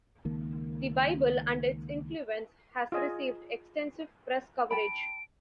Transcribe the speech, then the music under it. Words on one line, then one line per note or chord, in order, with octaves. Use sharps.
"The Bible and Its Influence" has received extensive press coverage.
C#2 D#3 A#3
F4 G#4 D#5 G#5
G5 A5 B5 D7